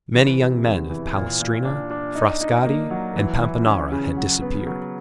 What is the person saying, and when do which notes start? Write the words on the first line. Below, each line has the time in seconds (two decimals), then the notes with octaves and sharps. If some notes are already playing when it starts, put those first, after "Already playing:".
Many young men of Palestrina, Frascati, and Pampinara had disappeared.
0.14 E3
0.40 C3
0.64 E2
0.90 E3
1.15 A#2
1.40 A#2
1.65 D4
1.90 D4
2.15 D#4
2.41 D#4
2.65 A#3
2.90 F#3
3.16 E3
3.41 E3
3.66 C#4
3.92 C#3
4.17 F#3
4.42 B3
4.67 F#3